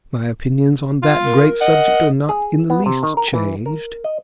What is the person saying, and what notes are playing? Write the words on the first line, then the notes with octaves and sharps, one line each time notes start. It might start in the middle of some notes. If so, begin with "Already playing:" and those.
My opinions on that great subject are not in the least changed.
F4
A#4
D#5 F#5
G#4
B3
C3
D#3
A#4
E3
A#4
D#5